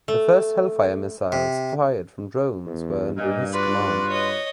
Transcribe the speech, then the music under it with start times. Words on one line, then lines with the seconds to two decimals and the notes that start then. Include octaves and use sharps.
The first Hellfire missiles fired from drones were under his command.
0.08 A3
1.32 C3
2.66 E2
3.17 G2 A#2 D#5
3.53 F4 F#4 B4 D5 C6
4.09 C#5 D#5